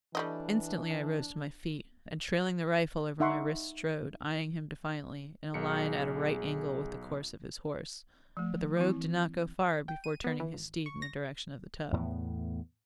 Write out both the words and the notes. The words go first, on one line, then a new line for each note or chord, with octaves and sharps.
Instantly I rose to my feet, and trailing the rifle over my wrist strode, eyeing him defiantly, in a line at a right angle with the course of his horse, but the rogue did not go far before turning his steed in the direction of the tub.
E3 G3 A3 D4 D#5
D#4 E5 F#5 C6 C#6
B1 G#4 C#7
F3 A3
E3 C4 E4
G5
D#7
B3
E3
G#1
C#6
A#6
E2 A2 B3